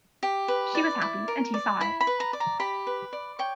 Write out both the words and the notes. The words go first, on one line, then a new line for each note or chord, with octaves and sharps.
She was happy, and he saw it.
G4
B4
D5
E4
A#4
D5
E4 B5
B5
B4
A#5
D5
A#5
G4 B5
B4
D5
C#5 G5